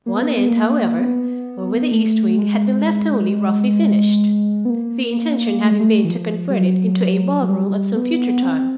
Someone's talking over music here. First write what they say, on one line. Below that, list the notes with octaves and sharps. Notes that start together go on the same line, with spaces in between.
One end, however, over the east wing, had been left only roughly finished, the intention having been to convert it into a ball-room at some future time.
A#3
B3
A#3
B3
A#3
B3
A3
G#3
B3
A#3
A3
G#3
A3
E3
F3
G3
F#3
F#3
G3
B3
C4